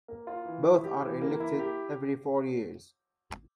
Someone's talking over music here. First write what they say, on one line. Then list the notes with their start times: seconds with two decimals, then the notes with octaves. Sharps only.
Both are elected every four years.
0.08 A#3
0.27 F4
0.45 E3
0.65 E4
0.84 G4
1.02 E3
1.22 A#3
1.40 E4
1.59 G4